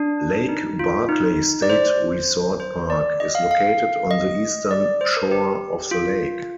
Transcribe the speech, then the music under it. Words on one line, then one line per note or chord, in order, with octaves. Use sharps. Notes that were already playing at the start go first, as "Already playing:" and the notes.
Lake Barkley State Resort Park is located on the eastern shore of the lake.
Already playing: D4
D#4
F4
D#4
D5
C5
C5
D5
D#5
F5
F5
D#5
D5
C5
A#4
G4
F4